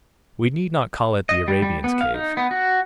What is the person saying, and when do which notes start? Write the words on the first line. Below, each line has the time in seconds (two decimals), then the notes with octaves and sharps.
We need not call it the Arabian's cave.
1.29 D#5
1.48 G3
1.62 G3
1.84 B3
2.01 F5
2.15 D#4
2.37 B3
2.51 F#4